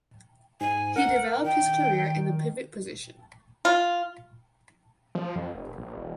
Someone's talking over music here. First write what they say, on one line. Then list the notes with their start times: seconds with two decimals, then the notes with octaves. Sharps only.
He developed his career in the pivot position.
0.61 G#2 G#5
0.96 A#4 F#5
1.45 D#3 G5
3.65 F4
5.15 F3
5.36 F2
5.54 F1
5.77 A#1
5.96 E1